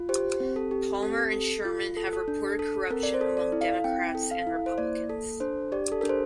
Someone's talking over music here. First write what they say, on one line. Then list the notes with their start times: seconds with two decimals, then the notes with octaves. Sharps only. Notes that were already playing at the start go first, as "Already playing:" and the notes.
Palmer and Sherman have reported corruption among Democrats and Republicans.
Already playing: F4
0.09 G4 C5
0.40 C4
0.56 A4
0.71 G4
1.03 C4 A4
1.34 A4
1.65 F4
1.97 A4
2.13 A4
2.28 D4
2.59 A4
2.90 C4 A#4
3.03 D5
3.14 C5
3.21 A4
3.37 D5
3.52 E4
3.61 F5
3.84 C4 G5
4.15 A4
4.31 F5
4.47 E4
4.66 C5
4.78 A#3 D5
5.10 A4
5.40 D4 C5
5.72 G4 D5
5.92 A4
6.01 D4 A#4
6.09 C5